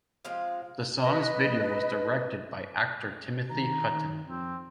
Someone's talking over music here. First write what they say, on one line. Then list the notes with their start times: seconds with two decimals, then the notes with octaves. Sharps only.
The song's video was directed by actor Timothy Hutton.
0.25 F3 G#3 C4 F4
1.00 B4 D#5
3.50 D#3 A#5
3.90 D#3
4.28 F2 C4